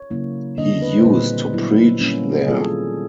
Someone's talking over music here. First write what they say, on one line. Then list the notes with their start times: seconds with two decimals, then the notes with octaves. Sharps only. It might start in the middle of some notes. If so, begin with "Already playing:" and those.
He used to preach there.
Already playing: C#5
0.10 C#3 F#3 A#3 C#4 E4
0.58 D3 G3 A#3 D4 D#5
0.82 B4
0.98 C5
1.05 A#2 G3 C4 E4 B4
1.53 F#3 B3 E4
2.01 G3 A#3 C#4
2.39 G#4
2.48 D#3 G3 C4 F4 A4